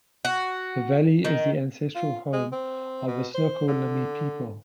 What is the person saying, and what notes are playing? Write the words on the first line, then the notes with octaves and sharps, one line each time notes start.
The valley is the ancestral home of the Snoqualmie people.
F#4
D#3
F4
G#3
C4
B2
C5
D3